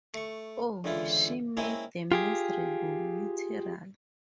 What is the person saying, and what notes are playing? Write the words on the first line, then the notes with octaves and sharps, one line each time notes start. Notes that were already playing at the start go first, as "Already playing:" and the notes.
Oh, she made them miserable, literally!
A3 C#6
C#2 D3 E3 E4 F4
G#3 A#3 C4 C#4 E4 G#4
F4 G4 G#4